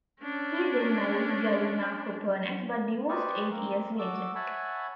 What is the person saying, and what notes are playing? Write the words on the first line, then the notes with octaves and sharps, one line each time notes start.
He then married Galina Kopernak but divorced eight years later.
C#4 D4
G4 G#4 B4 C5 D5 C#6
A#3 C4 A#4
F#4 A4 D6 E6
C#5 E5 F#5 G#5 A5 B5